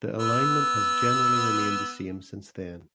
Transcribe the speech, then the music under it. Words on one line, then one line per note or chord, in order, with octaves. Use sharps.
The alignment has generally remained the same since then.
B3 E6